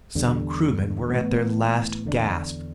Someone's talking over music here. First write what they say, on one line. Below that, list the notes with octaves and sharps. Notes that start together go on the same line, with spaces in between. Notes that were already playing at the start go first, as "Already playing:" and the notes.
Some crewmen were at their last gasp.
E2 D3 G3
A2 E3 B3
E2 D3 A3 D4